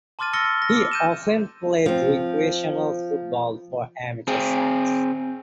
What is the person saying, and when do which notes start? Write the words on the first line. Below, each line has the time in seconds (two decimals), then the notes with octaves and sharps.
He often played recreational football for amateur sides.
0.19 A5 C6 D6 F6 A6 D#7
0.33 E6 F6 A6 A#6 C#7 G7
0.45 C#7
0.62 A#6
0.77 D6
0.91 G6 D#7 E7
1.86 F3 C4
4.27 C4 G#4